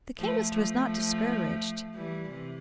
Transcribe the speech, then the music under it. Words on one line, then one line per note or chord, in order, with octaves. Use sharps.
The chemist was not discouraged.
F3 A3
F3 A3
E3 G3
C3 E3